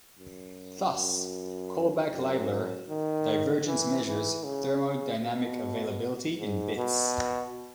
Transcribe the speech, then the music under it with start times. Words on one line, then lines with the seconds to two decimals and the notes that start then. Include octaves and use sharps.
Thus Kullback-Leibler divergence measures thermodynamic availability in bits.
0.18 F#2
0.95 F#2
2.12 F#2
2.89 D#3
3.67 E3
4.06 E3
4.44 C#3
5.22 B2
6.38 G#2
6.76 B2